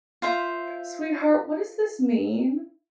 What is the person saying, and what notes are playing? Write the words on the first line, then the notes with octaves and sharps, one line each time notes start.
"Sweetheart, what does this mean?"
F4 C5 E5